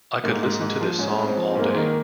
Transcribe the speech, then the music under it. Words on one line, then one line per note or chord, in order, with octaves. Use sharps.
I could listen to this song all day.
G#2 A#3
G#2
G#2
F3
G#2 C#4
G#2
C4
F3
C4
G#2 A#3
G#3
D#3 A#3